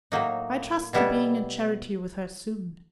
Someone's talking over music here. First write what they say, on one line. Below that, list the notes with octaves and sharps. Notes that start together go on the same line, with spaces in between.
I trust to being in charity with her soon.
A2 F#3 A#3 D#4
B2 G3 B3 E4 A4